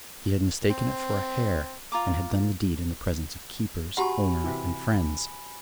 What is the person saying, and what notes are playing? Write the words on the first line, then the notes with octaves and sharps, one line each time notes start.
He had mistaken it for a hare, and had done the deed in the presence of keepers, owner, and friends.
C4
F4 A#5 D6
F#4 G4 F#5 G#5 A#5 B5 C#6
C3 E3